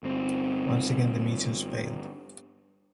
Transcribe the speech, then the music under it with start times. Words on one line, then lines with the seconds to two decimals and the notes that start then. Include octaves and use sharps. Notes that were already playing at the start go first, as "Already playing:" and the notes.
Once again the missions failed.
0.03 G1 C4